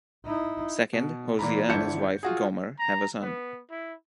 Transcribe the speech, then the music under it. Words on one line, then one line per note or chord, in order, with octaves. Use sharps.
Second, Hosea and his wife, Gomer, have a son.
D#4 E4
B2
A#2 E3 A#5 B5
G1 D3 E4 A5 G6 C#7
F4 F#4 G#4
A#5
B3
E4